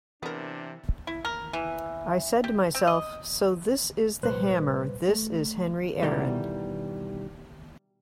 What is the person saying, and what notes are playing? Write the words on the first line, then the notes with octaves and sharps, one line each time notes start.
'I said to myself, so this is the Hammer, this is Henry Aaron.
C3 E3 B3 D4 A#4
E4
A#4
E3
G4
C4
D#5
C2 A#2 G3 B4 C5 F#6
A3
B2 D#3 E3 G3 A3